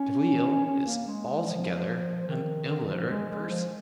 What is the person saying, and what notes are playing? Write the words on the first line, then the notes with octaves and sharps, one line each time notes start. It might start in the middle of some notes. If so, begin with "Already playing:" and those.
Delisle is altogether an illiterate person.
Already playing: C#4
C#4
A#3
G#3
F3
D#3
D#3
F3
G#3
G#3
F3